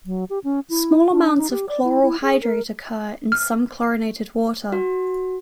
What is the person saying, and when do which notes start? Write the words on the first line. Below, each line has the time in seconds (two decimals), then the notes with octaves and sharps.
Small amounts of chloral hydrate occur in some chlorinated water.
0.06 F#3
0.30 G4
0.44 C#4
0.70 E4
1.12 D4
1.38 D#4
1.51 G4
1.69 D5
1.84 E4
2.02 E4
2.22 G#4
2.42 A#4
3.32 F6
4.72 F#4